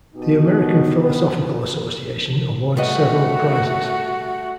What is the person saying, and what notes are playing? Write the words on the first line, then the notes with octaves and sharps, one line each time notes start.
The American Philosophical Association awards several prizes.
B2 D#4 G4
B3
G3 A3 F#4 B4 D#5